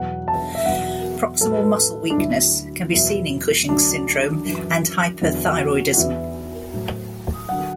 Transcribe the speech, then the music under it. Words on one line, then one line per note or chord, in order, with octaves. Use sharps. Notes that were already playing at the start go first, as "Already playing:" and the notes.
Proximal muscle weakness can be seen in Cushing's syndrome and hyperthyroidism.
Already playing: E2 B2 F#3 F#5
A5
E5
E2 B2 F#3 F#5
A2 F#3 A4
B4
A4
D4
D2 D3 F#3 E4
E2 B2 F#3 E4
D2 D3 F#3 D4
F#2 E3
E2 D3 F#3 E4
F#4
F#4
E2 E3 E4
A2 F#3
D3 F#3 F#5